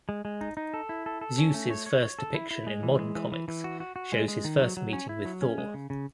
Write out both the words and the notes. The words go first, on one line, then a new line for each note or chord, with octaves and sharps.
Zeus' first depiction in modern comics shows his first meeting with Thor.
G#3
G#3
D#4
D#4
A4
E4
A4
A4
C#4
A3
C#5
C#5
C#5
A4
E4
E4
G#3
E3
G#3
E3
E3
E3
F#4
F#4
F#4
G#3
G#3
D#3
F#3
F#3
C#4
E4
F#3
C#4
G#3
C#3
C#3